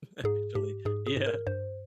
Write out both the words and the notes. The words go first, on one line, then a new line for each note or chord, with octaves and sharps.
actually." Yeah.
G#2 G#4
G#2 G4
G#2 G#4
G#4
G#2
A#4
G2 C5